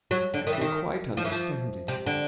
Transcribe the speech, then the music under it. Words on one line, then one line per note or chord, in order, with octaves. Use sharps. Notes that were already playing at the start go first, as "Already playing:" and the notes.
'I can quite understand it.
F#3
D3
D#3
E3
D#3
F3
E3
F3
C3
D3